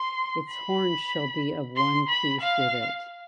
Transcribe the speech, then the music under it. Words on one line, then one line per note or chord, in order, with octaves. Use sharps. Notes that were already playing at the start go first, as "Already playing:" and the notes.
Its horns shall be of one piece with it.
Already playing: C6
B5
C6
B5
F5